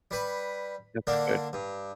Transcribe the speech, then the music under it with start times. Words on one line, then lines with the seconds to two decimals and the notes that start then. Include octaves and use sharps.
That's good.
0.11 G3 B4
1.07 D3 A#3 D4
1.53 G2